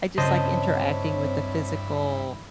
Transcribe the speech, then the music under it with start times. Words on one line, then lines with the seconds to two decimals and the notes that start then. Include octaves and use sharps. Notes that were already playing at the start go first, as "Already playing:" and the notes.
I just like interacting with a physical
0.18 G2 C#3 C4 E4 C5 C#5 D#5 A5